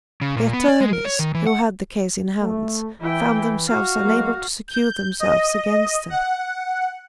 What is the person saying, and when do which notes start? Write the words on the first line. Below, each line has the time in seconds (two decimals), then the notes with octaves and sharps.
The attornies who had the case in hands, found themselves unable to secure themselves against her.
0.21 C#3
0.36 A#2
0.53 B3
0.68 D5
0.81 G#3
0.93 A#4
1.05 C#5
1.19 D#3
1.34 E3
1.47 F#5
2.42 A3
3.00 E3 E4 G5
3.69 F#4 F5
4.03 F#3 G#3 A#3
4.68 G6
5.20 D#5
6.10 F#5